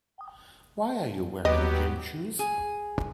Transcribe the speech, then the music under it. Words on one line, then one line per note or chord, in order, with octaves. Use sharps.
Why are you wearing gym shoes?
D#2 F#3 B3 G4 D#5
G#4